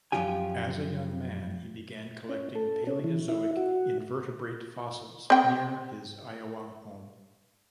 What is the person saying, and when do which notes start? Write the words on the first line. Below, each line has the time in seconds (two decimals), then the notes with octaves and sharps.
As a young man, he began collecting Paleozoic invertebrate fossils near his Iowa home.
0.12 F#2 D#3 F3 F4 G4 G#5
2.29 C#4
2.55 A4
2.87 C#4
3.04 E3
3.29 E4
3.57 F#4
5.30 C4 G5